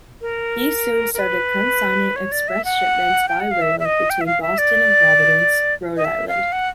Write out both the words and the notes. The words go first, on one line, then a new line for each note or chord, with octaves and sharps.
He soon started consigning express shipments by rail between Boston and Providence, Rhode Island.
A#4
A#4
B4
C#5
D5
E5
F#5
G5
F#5
F5
E5
E5
D#5
G5
E5
F5
E5
D5
D#5
E5
F5
F#5